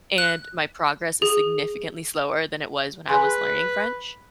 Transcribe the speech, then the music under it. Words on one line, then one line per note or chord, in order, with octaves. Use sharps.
and my progress is significantly slower than it was when I was learning French.
F#6
G#4
G#4 B4 G#5 C6